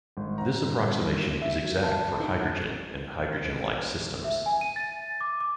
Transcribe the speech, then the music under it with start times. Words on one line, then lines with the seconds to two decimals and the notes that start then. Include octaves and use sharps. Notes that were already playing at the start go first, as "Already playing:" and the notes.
This approximation is exact for hydrogen and hydrogen-like systems.
0.17 G#1
0.38 A#5
0.62 G1
1.42 E5
1.65 F#3
1.83 A5
2.20 D#4
4.24 E5
4.46 G#5
4.61 D#7
4.76 A6
5.21 D6
5.41 D6